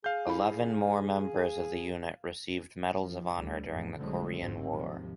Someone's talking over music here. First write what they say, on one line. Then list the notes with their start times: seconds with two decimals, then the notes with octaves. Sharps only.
Eleven more members of the unit received Medals of Honor during the Korean War.
0.04 G#4 F5 G6
0.27 E4 B5
3.02 F3
3.35 D2 G3
3.67 A1 F2
3.97 B1 D3 F#3 G#3 A3 C4
4.39 G#1 D2 G#2 F#3 C4
4.72 D#2 G#2 C3 F3